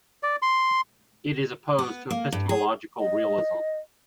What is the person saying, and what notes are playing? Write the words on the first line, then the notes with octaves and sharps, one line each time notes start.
It is opposed to epistemological realism.
D5
C6
B3
A#3
G2
G#4
D#5